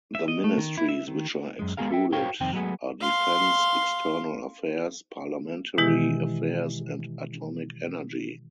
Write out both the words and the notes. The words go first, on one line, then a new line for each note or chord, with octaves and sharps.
The ministries which are excluded are defence, external affairs, parliamentary affairs and atomic energy.
E5
D#5
A3
D#3
E4
E5
D#3
F#2 G#3
G#3 B3 F#4 G#4 A#4 F5
A4 E5 G5
F#4 A#4 C5 C#5 F5 G5
C2 F2 D#3 C4 G5
F#3 G#3 A3 B3 G#4
F5 C6
B2 D#3 E3 G#3 E4 G4